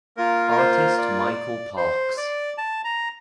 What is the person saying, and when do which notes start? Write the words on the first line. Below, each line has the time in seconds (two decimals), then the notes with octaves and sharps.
Artist Michael Parkes.
0.17 A#3 F4 A#4
0.51 A#4
0.57 C5
0.98 D5
1.77 C5
2.17 D5
2.58 A5
2.84 A#5